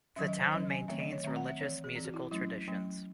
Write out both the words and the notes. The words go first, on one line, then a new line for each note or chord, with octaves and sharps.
The town maintains religious musical traditions.
D#3 F#3 C#4 E5
D#5
C5
D#3 F#3 C#4 D#5
G#5
D#3 A3 C4 E5
D#5
C#5
D#3 A3 C4 E5
F#5
E5
E3 C4 C#5
G#4
E3 C4
F#4
E4
F#3 A3 C#4 E4
F#3 A3 C#4